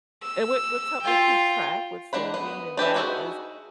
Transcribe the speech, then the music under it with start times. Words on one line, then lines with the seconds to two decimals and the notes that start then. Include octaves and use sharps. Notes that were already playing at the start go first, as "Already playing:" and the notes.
And what what's helped me keep track with saving and that is
0.22 E6
1.01 F4 G5
2.13 G#3 D4 F#5 B5
2.34 B3
2.77 D4 G4 B4 E5
2.94 D4 D#4 F#4 G#4 E5